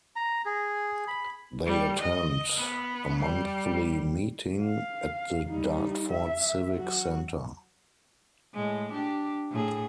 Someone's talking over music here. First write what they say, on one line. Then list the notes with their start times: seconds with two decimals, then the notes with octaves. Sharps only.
They attend a monthly meeting, at the Dartford Civic Centre.
0.16 A#5
0.46 G#4
1.08 B5
1.66 G3
2.01 D#5
2.57 B3
3.19 G3
4.63 F5
5.48 G3 D#4
6.12 E5
6.75 F#3 F#4
8.55 A2 G#3
8.93 D4 G4
9.51 A2 G#4